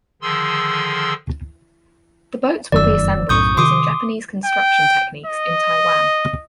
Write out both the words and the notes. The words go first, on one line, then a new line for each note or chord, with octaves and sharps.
The boats will be assembled using Japanese construction techniques in Taiwan.
D3 D#3 F3 G#4 C6 E6
F1 F#2 D#3 D5 E6
B1 F#2 A2 C#6 D#6 G6
C3 D#3 C6 D6 D#6
G5
D#5